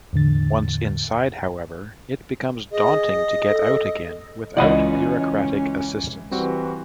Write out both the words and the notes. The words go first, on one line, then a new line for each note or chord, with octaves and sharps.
Once inside, however, it becomes daunting to get out again without bureaucratic assistance.
E2 A2 D3 A6
G#4 D#5
A4
C#2 E3 C#4 F4 D5 D#5 F#5 B5
E3 G3 C4 F#4